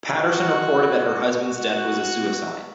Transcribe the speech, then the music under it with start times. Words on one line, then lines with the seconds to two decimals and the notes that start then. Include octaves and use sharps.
Patterson reported that her husband's death was a suicide.
0.16 F#4
1.41 F#4